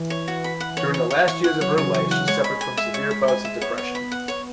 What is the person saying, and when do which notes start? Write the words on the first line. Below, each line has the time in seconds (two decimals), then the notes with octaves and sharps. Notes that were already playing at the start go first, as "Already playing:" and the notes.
During the last years of her life, she suffered from severe bouts of depression.
Already playing: E3
0.10 C#5
0.28 F#4
0.44 B5
0.60 F#5
0.77 C#5
0.94 E3 C#5
1.10 C#5
1.27 E3 C#6
1.44 F#5
1.61 F#3 C#5
1.77 C#3 C#5
1.94 E3 C#6
2.11 F#3 F#5
2.28 G#3 C#5
2.44 B5
2.61 G#5
2.77 E5
2.94 C#5
3.11 B5
3.28 G#5
3.45 E5
3.61 B3 C#5
3.78 C#5
3.95 B5
4.12 F#5
4.28 C#5